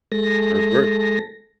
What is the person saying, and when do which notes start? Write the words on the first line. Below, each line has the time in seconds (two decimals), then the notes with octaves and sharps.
that's great.
0.12 G#3 A4 A#6